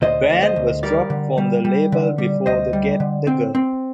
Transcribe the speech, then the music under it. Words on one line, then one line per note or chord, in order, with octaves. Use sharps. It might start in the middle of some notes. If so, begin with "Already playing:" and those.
The band was dropped from the label before the Get the Girl!
D2 C5 D#5
D2
C5 D#5
D2
G3 A#4 D5
D3
G3
G3
D3
G3
D2 C5 D#5
G3
D3
C4
C4